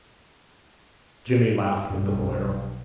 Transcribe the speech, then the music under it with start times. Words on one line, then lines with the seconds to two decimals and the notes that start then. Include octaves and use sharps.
Jimmy laughed with the lawyer.
1.90 B1 G2